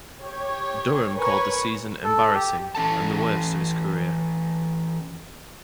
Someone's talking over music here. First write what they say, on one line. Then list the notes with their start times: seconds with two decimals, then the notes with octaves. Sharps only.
Durham called the season "embarrassing" and the "worst" of his career.
0.24 G4 C#5
1.16 A#4 B4 C#5 G#5 B5 C#6
2.04 A4
2.35 G4
2.75 E3 C#4 A4 A5